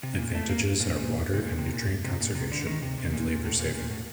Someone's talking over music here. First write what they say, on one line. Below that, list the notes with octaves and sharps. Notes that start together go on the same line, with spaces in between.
Advantages are water and nutrient conservation, and labor-saving.
C3
A#2
A3
A#3
A#2
A#2
C3
A#2
C3
A#2
C3
A#2
C3
D3
D#3
C3
C3
A#2
A#2
A2
A#2
A#2
A2